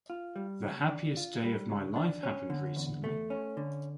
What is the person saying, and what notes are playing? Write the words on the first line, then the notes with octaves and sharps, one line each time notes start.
The happiest day of my life happened recently.
F4
G3
C#3
D4
F4
G3
C#3
D4
C#4
D3
E2
A3
C#4
D3